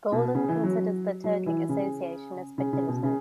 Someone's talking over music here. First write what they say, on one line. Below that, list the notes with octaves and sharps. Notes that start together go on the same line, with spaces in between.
Golden considers the Turkic association as speculative.
B2
C#3
E3
F#3
F#3
E3
C#3
C#3
C#3
B2
C#3